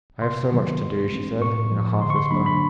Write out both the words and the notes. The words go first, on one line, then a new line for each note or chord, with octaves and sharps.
"I have so much to do," she said, in a half-whisper.
C3 C6
D#3 F#3 B3
G#2
E3 G#3 C4
A2 C#6
F3 A#3
D3 C6
C#6
C6
F#3 A#3 D4 B5
B5